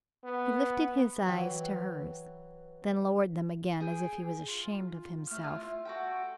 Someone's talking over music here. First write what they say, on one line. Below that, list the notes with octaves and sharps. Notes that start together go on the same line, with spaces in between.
He lifted his eyes to hers, then lowered them again as if he was ashamed of himself.
B3
E3 F#3 G5
G#4 G5
F4
A3 F6
E4 F4
F#4 A4 G5